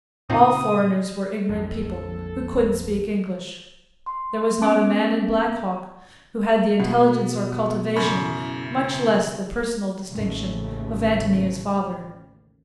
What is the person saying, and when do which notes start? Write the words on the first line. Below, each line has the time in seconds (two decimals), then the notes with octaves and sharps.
All foreigners were ignorant people who could n't speak English. There was not a man in Black Hawk who had the intelligence or cultivation, much less the personal distinction, of Antonia's father.
0.30 A#2 C#3 C4 D#4 F4 D#6
1.49 A#1 F2 A4
4.06 C6
4.61 B3 C#4 A5 D6 D7
6.80 B2 B3
7.96 F#2 C#3 E4 B5 C#6
10.12 A1 D#2 C#3 A3